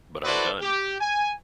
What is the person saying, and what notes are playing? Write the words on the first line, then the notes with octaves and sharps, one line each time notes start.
But I'm done.
E4 F#4 A4 B4 C5 D5
G4
G#5